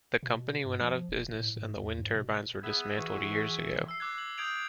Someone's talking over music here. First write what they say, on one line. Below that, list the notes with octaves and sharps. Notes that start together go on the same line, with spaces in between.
The company went out of business and the wind turbines were dismantled years ago.
B2
G2
F3
E1
A2
G#2
E2
G#2
B2
B3 G#4 E5
E3 F#4
E6 C7
D6 F#6 G#6
F#7
D#6 G6 G#6 D7 F7